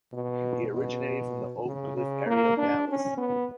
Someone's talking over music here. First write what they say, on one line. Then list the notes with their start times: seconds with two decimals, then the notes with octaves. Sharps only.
He originated from the Oak Cliff area of Dallas.
0.13 B2
0.74 B2
1.65 C#3
1.97 C#3
2.26 A#3
2.58 D4
2.88 C#4
3.18 B3